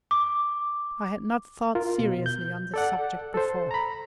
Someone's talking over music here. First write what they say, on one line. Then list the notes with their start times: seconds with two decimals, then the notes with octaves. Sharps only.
I had not thought seriously on this subject before.
0.11 D6
1.75 F4 A#4
1.99 B2
2.26 G6
2.74 A4 D5 F#5
3.34 A4 C5
3.71 A#5 B5